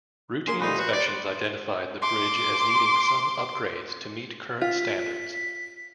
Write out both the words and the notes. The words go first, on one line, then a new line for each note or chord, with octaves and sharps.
Routine inspections identified the bridge as needing some upgrades to meet current standards.
A#3 G#4 C6
A#2 G3 A3 D#4 B5 C6 F#6
F#4 B4
D5
C6 D6
F4 B6